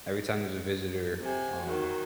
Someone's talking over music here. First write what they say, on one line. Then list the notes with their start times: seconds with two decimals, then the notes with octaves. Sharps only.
every time there's a visitor, um,
1.22 C3 G#5
1.63 D#3 F#3